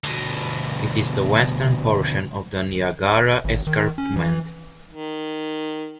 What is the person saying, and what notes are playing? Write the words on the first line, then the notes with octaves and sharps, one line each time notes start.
It is the western portion of the Niagara Escarpment.
D2 B2
G#1
D#3
C#4
E3
D#3